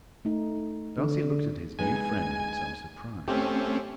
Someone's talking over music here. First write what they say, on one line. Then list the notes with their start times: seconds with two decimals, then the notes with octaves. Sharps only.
Darcy looked at his new friend in some surprise.
0.25 A3 D#4
0.98 D3
1.79 G#3 B3 D#4 G#5
3.28 A3 C4 C#4 G4